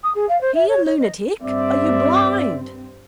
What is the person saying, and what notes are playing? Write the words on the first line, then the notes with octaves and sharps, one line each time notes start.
Here, lunatic! Are you blind?
D#6
G#4
F5
C5
E5
C#5
C#5
D#5
G2 C4 D5 E5